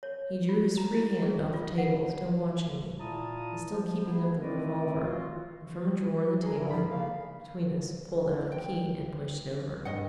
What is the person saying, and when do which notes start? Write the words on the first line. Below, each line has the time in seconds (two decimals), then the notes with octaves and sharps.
He drew his free hand off the table, still watching me, and still keeping up the revolver, and from a drawer in the table between us pulled out a key and pushed it over.
0.03 C#5
0.49 F4
0.78 A#5
0.94 E4
1.22 G#4
1.54 F4
1.78 F#5
2.99 A#2 E4 F4 A5 A#5 D#6
3.72 F3
4.06 B3 E4 G#4
4.41 A3 C4 E4 B4 D5 D#5
5.03 F4 F#4
6.43 G#4 A#5
6.56 G#2 G3 E4 A#4
6.71 F3 B5
6.90 C#3 A#3 F5
8.52 G5
9.85 G2 D#5 F#5